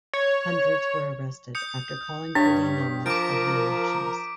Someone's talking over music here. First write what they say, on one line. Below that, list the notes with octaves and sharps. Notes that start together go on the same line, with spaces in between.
Hundreds were arrested after calling for the annulment of the elections.
C#5
D#6 G6 C#7
G2 D4 C#5 B6
F3 A#4 D6 D7